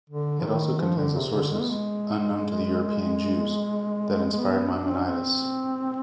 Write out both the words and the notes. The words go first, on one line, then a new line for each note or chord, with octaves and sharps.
It also contains the sources, unknown to the European Jews, that inspired Maimonides.
D3
F3
D#3
F3
D3
C3
D3
G#3
B3
G#3
G#3
B3
B3
D4
C4
D4
C4